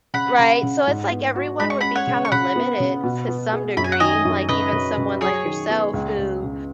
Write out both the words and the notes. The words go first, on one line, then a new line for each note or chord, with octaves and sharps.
Right, so it's like everyone would be kinda limited s to some degree, like even someone like yourself who
C#3 F#5 B5
C#3
C#3
G#2
B3
F#4
G#3 B5
C#6
C#4 F#5 B5
C#5 F#5
C#3
C#6
C#3 F#5 B5
B3
C#3
B2
B3
G#4
F#2 B5
G#5
F#5
D#3 D#5 G#5
F#2
C#3 B4 D#5
C#3
C#3
F#3 G#4 C#5
D#3
B3
C#2
C#2
C#3